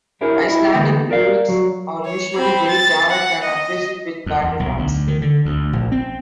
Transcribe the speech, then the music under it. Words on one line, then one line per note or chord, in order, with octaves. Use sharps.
Icelandic lyrics are usually very direct and aggressive, with battle raps.
D4 E4 G4 G#4 A#4 C#5
E4 D#5
D3 E3 A#3 B3 D#4 G4
A#4 D5 F5
F#3 F#4
C#5
C4 B5
A6
F#5
D#5
F2
E2
B1
D2
D#3
D3
D2
A#1
C4